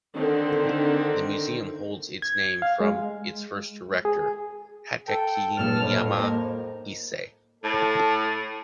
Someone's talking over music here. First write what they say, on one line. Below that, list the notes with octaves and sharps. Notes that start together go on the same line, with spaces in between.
The Museum holds its name from its first Director, Hatakeyama Issē.
D3 D#3 C4
G#6
F5
G#3
G#4
A4 G5
C#2 F#2 A#2 A#3 A5 F6
F2 A2
A#3 D#4 A#4
A2 A4